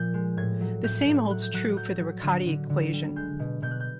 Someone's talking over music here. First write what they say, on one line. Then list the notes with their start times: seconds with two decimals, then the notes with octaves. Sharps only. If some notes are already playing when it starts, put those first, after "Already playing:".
The same holds true for the Riccati equation.
Already playing: A#2 F3 G6
0.14 G#3
0.37 A2 G#6
0.61 F#3
0.84 A2 G6
1.07 A2
1.30 F#3 F#6
1.42 G6
1.54 F#3 F#6
1.76 F#3 G6
2.00 F#3
2.23 D3
2.46 D3
2.70 D3
2.93 G3
3.16 G#3 G6
3.39 B2
3.62 B2 G6
3.71 F#6
3.80 G6